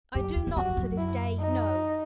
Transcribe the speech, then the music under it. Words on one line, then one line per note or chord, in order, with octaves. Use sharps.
I do not to this day know.
F#2 G4
E2
E2
F#2 F#4
F#2
E4
D#4